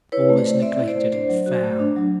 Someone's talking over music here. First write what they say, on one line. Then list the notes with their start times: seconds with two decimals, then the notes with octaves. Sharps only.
All is neglected and foul.
0.12 E4 B4 C#5
0.29 A3
0.37 C5 D5
0.46 A3
0.62 C4 D5 E5
0.79 E4
0.88 C5 D5
0.96 A3
1.12 D4 C5 D5
1.29 F#3
1.46 F#4
1.63 A3
1.79 D4
1.96 F#3